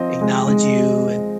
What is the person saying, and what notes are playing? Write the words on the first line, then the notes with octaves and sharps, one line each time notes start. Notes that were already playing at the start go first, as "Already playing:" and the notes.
acknowledge you, and
Already playing: F3 C4 D#5
G#3
G#3